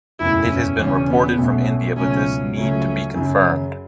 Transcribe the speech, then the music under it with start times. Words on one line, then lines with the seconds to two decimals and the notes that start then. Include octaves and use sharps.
It has been reported from India but this need to be confirmed.
0.20 F#1 E2 B2 A3 E4
0.49 C#4
0.79 E1 E2 C#3 C#4
1.09 B3
1.38 B1 B2 A3 C#4
1.96 C#2 B2 F#3 A3 C#4
2.55 C#2 C#3 F#3 A3 C#4
3.14 F#2 C#3 F#3